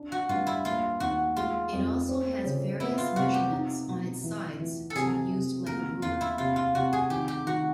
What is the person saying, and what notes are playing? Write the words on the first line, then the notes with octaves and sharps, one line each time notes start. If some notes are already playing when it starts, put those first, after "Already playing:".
It also has various measurements on its sides to be used like a ruler.
Already playing: D4
F#4
G2 F4
E4
A#3 F4
D#2 F#4
G#3 F4
F2
C4
C#3
B3 E4
F4
C3 F#4
G4
D#4
B2
E3
E3
A4
C3 G#4
C3
A#3 A#4
E2 F4
E4
C3 F4
F4
C3 F#4
G#4
D#3 G4
G4
D#3 F#4